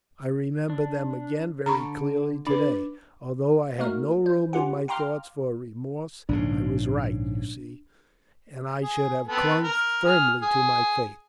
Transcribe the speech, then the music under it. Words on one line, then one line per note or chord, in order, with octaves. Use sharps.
I remember them again very clearly to-day, although I have no room in my thoughts for remorse. I was right, you see, and I should have clung firmly to my faith.
D4
D3 A#5 B5 C#6
D4 B4 D5
A3 A#3 D#4 F#4 A#4
C5
C#4 F4 G4 F#5
F5 G5 A#5 C6 D6 F6
A#1 G#2 C#3 D4
G#4
B3 C4 A4
A#4
G#4 F6
G#4